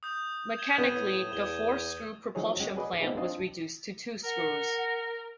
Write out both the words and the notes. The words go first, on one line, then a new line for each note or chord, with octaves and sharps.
Mechanically, the four screw propulsion plant was reduced to two screws.
D#6 G6
G#6 E7 G7
B3 D#7
A2
E2 G#6 G7
F3 F#3 D#4 G#4 C#5
G#3 C#4 F#4 G5
G#4 B4 D5 D#5 F#5 G#5
A3 B3 C4 D#4 F4 G#4
C4 D4 F4 D#5 A5
A#4 F#5